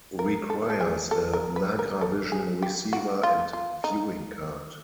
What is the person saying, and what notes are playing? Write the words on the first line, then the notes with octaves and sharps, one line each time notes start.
Requires a Nagravision receiver and viewing card.
A#4
A4
A4
G#4
A4
A#4
B4
A#4
A4
G#4
G4
F#4
F4
F4
D#4